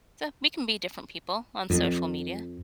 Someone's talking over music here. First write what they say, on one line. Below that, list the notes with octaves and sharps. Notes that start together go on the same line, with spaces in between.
So we can be different people on social media,
F2